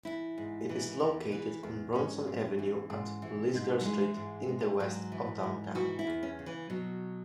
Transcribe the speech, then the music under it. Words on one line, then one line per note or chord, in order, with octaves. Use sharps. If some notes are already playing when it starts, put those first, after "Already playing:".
It is located on Bronson Avenue at Lisgar Street in the west of Downtown.
E3 E4
G#2
E3
E2
E3
E2
G#2 C#4
G#2
E3
G#2
E3
G#2
F#3
E3 G#3
G#2
G#2
G#2 F#3
E3
G#2
E3 F#4
E4
E2
C#4
C#3
E3
B2 F#3